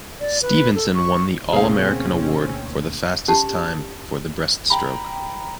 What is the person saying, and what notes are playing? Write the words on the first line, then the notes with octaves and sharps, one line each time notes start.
Stevenson won the all American award for fastest time for the breast stroke.
D5
B4
A4
C#6
D2 B2 A#3 C4 C#4 G#4 F5
C#4 G4 A5
G5 A#5 B5